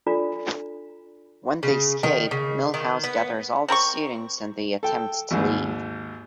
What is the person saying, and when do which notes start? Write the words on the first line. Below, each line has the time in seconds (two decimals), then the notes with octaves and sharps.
When they escape, Milhouse gathers all the students and they attempt to leave.
0.06 D4 F4 A4 D5 A#5
1.63 C#3
2.03 D#3
2.31 C#3
2.74 D#3
3.04 B3
3.68 C4 A#4 B5 C#6
4.83 A4 G5
5.31 G#1 D#2 G#2